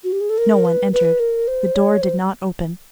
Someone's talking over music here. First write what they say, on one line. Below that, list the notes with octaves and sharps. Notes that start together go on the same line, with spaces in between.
No one entered; the door did not open.
F#4
G4
G#4
A4
A#4
B4
B4
A#4
C5
C#5
C5